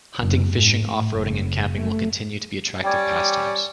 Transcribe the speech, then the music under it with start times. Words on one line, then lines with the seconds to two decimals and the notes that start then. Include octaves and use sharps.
Hunting, fishing, off-roading, and camping will continue to be attractive pastimes.
0.19 F#1
0.51 G#2
0.85 A2
1.14 F#1
1.75 A3
2.84 G3 C#4 D5 G5 D6 G#6